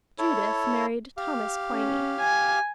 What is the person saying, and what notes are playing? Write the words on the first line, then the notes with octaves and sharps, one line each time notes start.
Judith married Thomas Quiney.
E4 A4 C#5
G4 F5
C#4
G#5